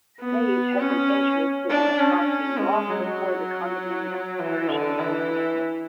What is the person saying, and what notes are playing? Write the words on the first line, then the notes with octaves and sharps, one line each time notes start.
Sage had been interested in the property long before the condominium conversion was attempted.
B3
C#4
D4
C#4
G#3
F#3
E3
D3
E3